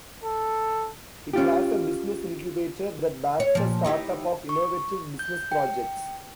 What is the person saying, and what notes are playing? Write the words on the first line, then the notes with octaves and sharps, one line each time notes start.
It has a business incubator that backs the startup of innovative business projects.
A4
C#4 F4 G4
C#5
A#2 F3
D#4 E4 G4
C#6
G6
G5